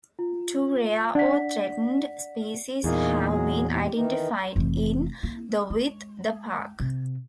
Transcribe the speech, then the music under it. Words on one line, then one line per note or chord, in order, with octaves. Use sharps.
Two rare or threatened species have been identified in the with the park.
F4
D4 D5 F#5 B6
E2 A#2 A#3 D#4 G#4
F#3 G#3 G#4
G4
D#3 E3 D#4
F1 E3
A#3
G#3
C3